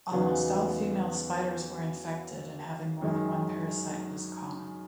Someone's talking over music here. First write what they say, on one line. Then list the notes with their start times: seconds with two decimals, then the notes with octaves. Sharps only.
Almost all female spiders were infected and having more than one parasite was common.
0.11 E2 C#3 F#3 B3 D#4
3.01 F#2 D#3 G#3